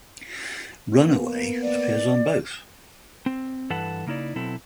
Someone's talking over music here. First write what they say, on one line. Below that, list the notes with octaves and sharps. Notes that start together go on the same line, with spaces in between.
"Runaway" appears on both.
A#3 B3
D5
C4
G2 E3 A4 B4 F#5 A5
C#3 A#3 D#4 E4 D5
B2 F#3 C4 E4 A4